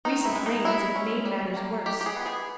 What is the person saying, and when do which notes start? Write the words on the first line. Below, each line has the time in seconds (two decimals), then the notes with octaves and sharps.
Recent rains had made matters worse.
0.05 D#3 D#4
0.25 E4
0.35 G#3
0.46 D#4
0.65 G#3 E4
0.96 C#4
1.25 G3
1.56 A#3
1.86 G#3 G4
2.01 G4
2.06 G#4
2.16 B3
2.26 G#4